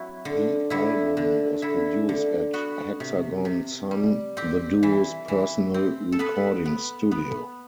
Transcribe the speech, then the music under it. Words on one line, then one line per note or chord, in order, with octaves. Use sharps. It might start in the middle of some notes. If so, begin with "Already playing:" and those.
The album was produced at Hexagon Sun, the duo's personal recording studio.
Already playing: F#3 C4 E4 F#4
D3
D3 E4
D3
D3 E4
D3
B3 F#4
C3
C3
G3
C4 G4
E3
E3
C4
A4
B3 B4
B3
B3